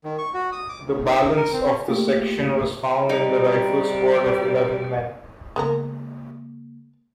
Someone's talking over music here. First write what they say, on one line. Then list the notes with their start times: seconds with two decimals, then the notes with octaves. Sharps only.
The balance of the section was found in the rifle squad of eleven men.
0.04 D#3
0.18 C#6
0.34 F#4
0.52 D#6
0.69 D6
0.85 D2
1.05 D#4
1.22 D#4
1.37 A#4
1.53 C4
1.66 C#4
1.88 A3 A#3 F4 G4
3.09 C3 G3 D#4
5.56 C#3 G#3 A#3 B3 A#4